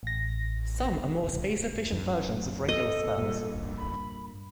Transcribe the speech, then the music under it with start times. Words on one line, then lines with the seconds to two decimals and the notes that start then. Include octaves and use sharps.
Some are more space-efficient versions of regular spells.
0.03 A1 A#6
1.92 F#2
2.69 A4 D#5
3.18 G2 A#2
3.77 B5